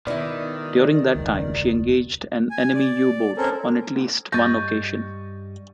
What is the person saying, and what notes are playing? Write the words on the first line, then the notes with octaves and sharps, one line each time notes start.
During that time, she engaged an enemy U-boat on at least one occasion.
B2 D#3 E4 B4 D5
E1 C#2
G#5
D5
C4 C#4 A4 A#4
G2 G3 D#5 C#6 G6 A6 A#6